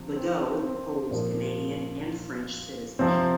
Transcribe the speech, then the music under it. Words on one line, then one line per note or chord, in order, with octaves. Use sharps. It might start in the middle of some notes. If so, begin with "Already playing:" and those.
Legault holds Canadian and French citizenship.
Already playing: C3 F3
C4
C4
A#2 F3 A#3
C3 F3 C4